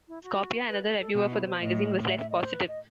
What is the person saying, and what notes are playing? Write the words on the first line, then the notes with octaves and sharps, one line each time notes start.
Scorpia, another reviewer for the magazine, was less positive.
E4
F#4
B4
A4
B2 G4
E4
C5
A2 D#5
E5
E5
D#5
C5
B4
D#5